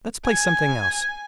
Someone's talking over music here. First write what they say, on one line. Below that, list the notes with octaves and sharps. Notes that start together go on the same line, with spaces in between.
Let's play something else.
G#5